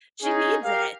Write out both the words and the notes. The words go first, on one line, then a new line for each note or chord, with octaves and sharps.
she needs it."
C#4 D#4 G#4
G4 A#4 F5